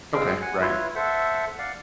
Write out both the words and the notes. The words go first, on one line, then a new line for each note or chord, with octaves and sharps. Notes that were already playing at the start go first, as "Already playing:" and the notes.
Okay. Right.
G#3 C4 F5 G5
F#5 G#5
E4 F4 B4 C#5
A4 C5 E5 F#5
D5 F5 F#5